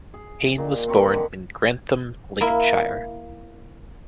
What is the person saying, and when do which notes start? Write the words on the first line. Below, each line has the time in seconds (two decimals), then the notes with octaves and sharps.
Cain was born in Grantham, Lincolnshire.
0.14 G#4
0.58 A#2 D#3 D5
0.88 C4 C#5 A#5 B5
1.13 D3 D#3 F#5 B5
2.41 A#3 E4